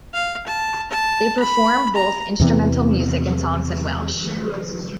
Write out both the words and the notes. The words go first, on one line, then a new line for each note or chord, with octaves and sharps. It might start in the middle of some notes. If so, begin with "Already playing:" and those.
They perform both instrumental music and songs in Welsh.
F5
A5
A5
B5
A#5
E2 C3 E3 B3